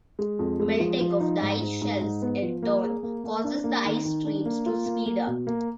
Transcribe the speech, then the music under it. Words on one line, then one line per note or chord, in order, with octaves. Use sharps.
Melting of the ice shelves in turn causes the ice streams to speed up.
G#3
F2
G#3
F3
F3
D#4
G#2
G#2
G#2
G#2
B3
F3
A#3
G#4
A#3
A#3
D4
A#3
D#3
D#3
D4
A#3
F4
A#3
A#3
B2
A#3